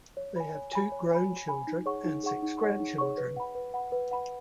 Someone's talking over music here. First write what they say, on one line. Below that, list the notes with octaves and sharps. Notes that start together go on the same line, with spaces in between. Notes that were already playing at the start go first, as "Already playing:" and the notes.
They have two grown children and six grandchildren.
C#5
G#5 B5
C#5
G#5 B5
C#5
G#5 B5
C#5
G#5 B5
D#4
G#4 C#5 F#5 C#6
D#4
G#4 C#5 F#5 C#6
D#4
G#4 C#5 F#5 C#6
D#4
G#4 C#5 F#5 C#6
B4
F#5 B5
B4
F#5 B5
B4
F#5 B5